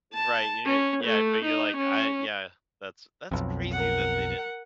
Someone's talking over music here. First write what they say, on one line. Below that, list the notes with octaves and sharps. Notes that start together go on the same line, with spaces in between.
Right, yeah yeah, but you're, like, I yeah, that's that's crazy that they didn't.
A5
C#4
A3
D#4
C#4
B1 F2
A#4 F#5